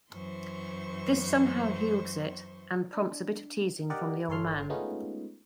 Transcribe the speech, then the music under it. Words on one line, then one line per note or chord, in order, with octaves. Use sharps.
This somehow heals it, and prompts a bit of teasing from the old man.
F#2 E3 C5 C6 C#6
D4
G4 A#4 D5 D#5 F#5
G1 A4 C#5 C6 F6
G#3 A3 B3 C#4 D#4 F4